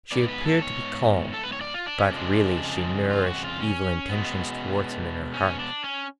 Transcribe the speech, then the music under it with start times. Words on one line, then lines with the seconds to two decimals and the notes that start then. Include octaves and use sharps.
She appeared to be calmed, but really she nourished evil intentions towards him in her heart.
0.12 G#2 F3 B3 D5
0.28 B4
0.41 G#4
0.46 A4
0.62 C#5
1.34 A4
1.43 B4
1.52 C#5
1.61 D5
1.74 F4
1.86 D4
1.98 C#4
2.11 F2 C#3 F3 G#3 D4
3.11 F4
3.27 F#4
3.44 F4
3.60 C#4
4.10 B2 G#3 B3
5.34 C#4
5.59 D4
5.84 C#4